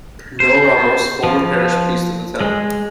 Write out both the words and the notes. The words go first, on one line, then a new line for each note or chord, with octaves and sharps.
Noe Ramos, former Parish Priest of the Town.
C5
F3
G#3